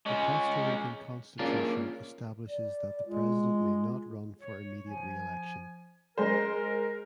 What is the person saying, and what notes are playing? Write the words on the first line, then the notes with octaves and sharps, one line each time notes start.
The Costa Rican Constitution establishes that the President may not run for immediate reelection.
G#3 C#4
A#3 C#4 D4 F4 G#4 A#4
D5
G#3 F4
C#5
F3 G#5
G#3 A#4 C5